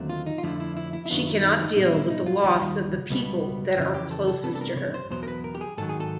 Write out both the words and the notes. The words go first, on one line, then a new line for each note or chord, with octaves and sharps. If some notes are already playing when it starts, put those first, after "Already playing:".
She cannot deal with the loss of the people that are closest to her.
Already playing: D#2 D3 F#3 A3 C4
F4
D#4
F4
F2 D3 F3 A3 D4 E4
E4
E4
E4
E4
F#2 D#3 F#3 B3 D4 F4
E4
D#4
D#4
A#2 G3 B3 D4 D#4
E4
D#4
F4
D#2 D#3 G3 F#4
C#2 B2 G3 B3
F2 C#3 E3
G4
A4
A4
C3 E3 G3 B3 D4 A4
A4
A#4
C#5
C5
E2 B2 F#3 C5
A#4
B4
A#4
G4
G#4
G#2 D#3 F#3 A4
G#4
A4